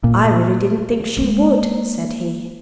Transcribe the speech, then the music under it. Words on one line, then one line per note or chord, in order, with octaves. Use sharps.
"I really didn't think she would," said he.
A#2
G#3 A#3